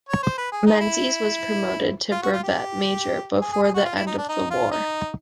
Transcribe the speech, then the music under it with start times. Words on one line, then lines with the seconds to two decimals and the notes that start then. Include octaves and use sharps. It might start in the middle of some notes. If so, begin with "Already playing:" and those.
Menzies was promoted to brevet major before the end of the war.
0.09 C#5
0.23 C5
0.38 B4
0.52 G#4
0.66 D#4
0.80 E4
2.12 F4
2.22 F#4
2.32 F4
2.43 G4
3.41 G#4
3.52 G#4
3.63 G#4
3.74 F#4
3.85 F4
3.95 E4
4.07 D#4
4.18 D4
4.29 D#4
4.50 F4
4.72 D#4